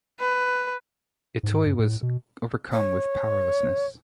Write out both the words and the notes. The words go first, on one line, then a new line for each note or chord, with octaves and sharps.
Itoi was overcome with "powerlessness".
B4
G#2
G2
A2
B2
C#5